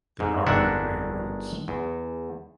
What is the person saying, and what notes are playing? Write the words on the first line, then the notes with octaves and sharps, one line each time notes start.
There are no railroads.
G#2
G1 D#3 G#3 D4 E5 F#5
E2